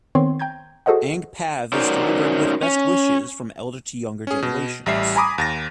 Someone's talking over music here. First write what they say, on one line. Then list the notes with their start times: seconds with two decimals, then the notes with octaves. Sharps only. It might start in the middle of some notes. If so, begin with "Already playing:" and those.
Ang Pav is delivered with best wishes from elder to younger generations.
0.15 D#3 B3 C4 C#5 C6
0.39 G5 A#5 G6 G#6
0.86 F#4 G#4 A4 C5 D#5 F#5
1.73 C#4 D#4 F#4 A#4 C5 D5
2.63 C#4
4.27 C#4 G#4
4.42 B2
4.86 A1 G3 E5 C7
5.16 G#5 A#5 B5 D6 D#6
5.38 D#2 A6 A#6